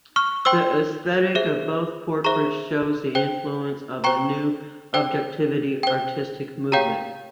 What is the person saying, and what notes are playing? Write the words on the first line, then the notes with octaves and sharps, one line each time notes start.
The esthetic of both portraits shows the influence of the New Objectivity artistic movement.
C#6 F6
C5 G5 C6 E6
G#4 C5 E5
G#4 C5 E5 A#5 C#6
C5 G5
C5 G5 A#5 C#6
C5 G5
C5 G5
G4 C#5 F5 G5 A#5